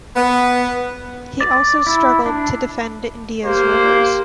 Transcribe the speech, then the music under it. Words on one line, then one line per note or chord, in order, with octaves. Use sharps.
He has also struggled to defend India's rivers.
B3
D5
E4
D4
A#3 G4 C5